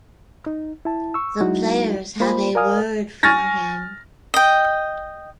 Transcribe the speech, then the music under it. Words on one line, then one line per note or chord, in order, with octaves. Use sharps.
The players have a word for him.
D#4
E4 A5
C#6 E6
F#3 G#3 D#4 E4 F#4
A#3 F4 C5 B5
A#4 D5 F5 G#5 D#6 F6
G#5 C#6 F6 A6 A#6
D#5 G5